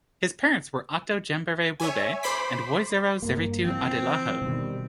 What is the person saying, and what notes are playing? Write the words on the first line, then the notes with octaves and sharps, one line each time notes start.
His parents were Ato Jenbere Wube and Woizero Zeritu Adelahu.
C#5 E5 G#5
C5 B5 C6 D6 B6
G2 A#3
E3 F3 C4
B2 D#3 G3